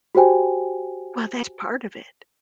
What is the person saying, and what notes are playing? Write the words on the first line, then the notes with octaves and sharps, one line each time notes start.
Well, that's part of it.
F#4 G4 C5 G5 G#5